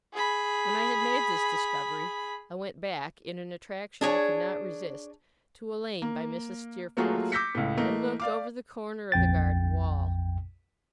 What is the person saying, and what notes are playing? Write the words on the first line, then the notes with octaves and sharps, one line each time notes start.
When I had made this discovery, I went back, in an attraction I could not resist, to a lane by Mrs. Steerforth's, and looked over the corner of the garden wall.
G#4 B5
D4 G#4 C#5
A#3
F#3 A3 A#3 F4 F#4 G#4
D6 E6 G6 A#6 B6 C#7
C#2 A2
E3 A3 A#3 D#5
D5 F5 D6
A#1 F2 G5 A6